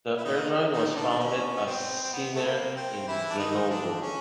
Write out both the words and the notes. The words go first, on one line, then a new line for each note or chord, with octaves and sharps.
The airline was founded as Sinair in Grenoble.
E4
D#3 D#4
D#3 D#4
D3 D4
D4
C#4
B3
C4
C4
B3
A3
A#3
C4
E3 E4
D4
D#3 D#4
D3 D4
C#4